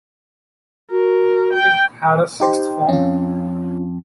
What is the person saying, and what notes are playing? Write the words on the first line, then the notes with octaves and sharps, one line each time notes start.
It had a sixth form.
F#4 A#4
G5
D#4 G4 C5
F2 C#4 F4